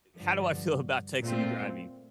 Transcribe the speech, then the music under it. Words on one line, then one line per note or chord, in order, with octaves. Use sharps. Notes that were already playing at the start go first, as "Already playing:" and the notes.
how do I feel about texting and driving?
G2 D3 F3
A#2 A3 C4 F4